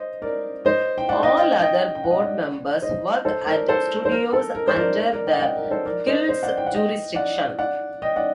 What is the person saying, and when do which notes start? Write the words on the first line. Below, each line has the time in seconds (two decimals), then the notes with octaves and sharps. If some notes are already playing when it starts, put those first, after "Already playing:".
All other Board members work at studios under the Guild's jurisdiction.
Already playing: C5 D#5
0.22 A#4 D5
0.65 C5 D#5
0.98 G5
1.09 D5 F#5
1.22 D#5 G5
1.37 G5
1.59 D#5 G5
1.95 G5
2.04 F#5
2.11 D#5
2.19 D5 F#5
2.82 C5 D#5
3.25 A4 C5
3.47 A#4 D5
3.68 A4 C5
4.05 C5
4.12 A#4
4.33 A4
4.55 A#4
4.68 C5
4.76 A#4 D5
5.13 A#4 D5
5.27 D#5 G5
5.37 G5
5.42 D5 F#5
5.56 A#4
5.65 D5
5.71 A4 C5
5.85 A#4 D5
6.07 C5 D#5
6.29 C5 D#5
6.43 D5 F#5
6.57 G5
6.66 F#5
6.74 D#5 G5
7.15 D5 F#5
7.59 D5 F#5
8.02 D#5 G5
8.16 D5 F#5